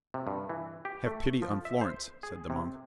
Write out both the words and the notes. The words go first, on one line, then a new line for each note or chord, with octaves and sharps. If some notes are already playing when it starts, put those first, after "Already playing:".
"Have pity on Florence," said the monk.
C3
G2
E3
G4
A3
F3
E5
C5
G#4
C3